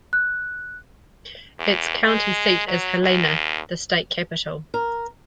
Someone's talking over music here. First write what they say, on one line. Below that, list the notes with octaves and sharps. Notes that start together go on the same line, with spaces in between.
Its county seat is Helena, the state capital.
F#6
E2
G#3
F#3
D#2
A#4